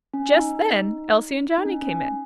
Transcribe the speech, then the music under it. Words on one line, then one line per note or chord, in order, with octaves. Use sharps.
Just then Elsie and Johnnie came in.
C#4
D#4
D#4
C#4
C#4